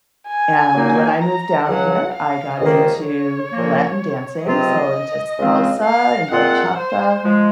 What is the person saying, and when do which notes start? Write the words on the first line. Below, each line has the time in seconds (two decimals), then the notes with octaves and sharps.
and when I moved down here, I got into Latin dancing, so into salsa and bachata
0.28 G#5
0.74 A#2 F#3 A#3 D#4
1.20 A#5
1.67 C#2 C#3 F#3 F#5
2.13 F5
2.59 C#2 C3 D#3 A#3 D#5
3.06 C#5
3.52 A#2 F3 A#3
4.45 C#2 C3 F#3 C4 F4 D#5
5.37 C#2 C#3 G#3 C4 F4
5.84 F5
6.30 A#2 G#3 C4 F4 F#5
6.77 C5
7.24 F3 G#3